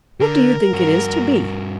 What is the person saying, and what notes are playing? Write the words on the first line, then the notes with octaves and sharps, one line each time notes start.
What do you think it is to be?
D3 A#4
G2 F#4